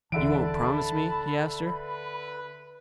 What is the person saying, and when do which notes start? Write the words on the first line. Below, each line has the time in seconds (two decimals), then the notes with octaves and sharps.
"You won't promise me?" he asked her.
0.12 D1 D3 E3 E5 A5 B5 D7
1.73 B4